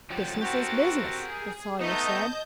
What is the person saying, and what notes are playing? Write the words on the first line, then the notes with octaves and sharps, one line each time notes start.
"Business is business," the Sawyer said.
F3 F#3 A3 G4 A6
C4 F#4 G4 A#4
G#4
A3 B3 D#4 D#5 A5 G6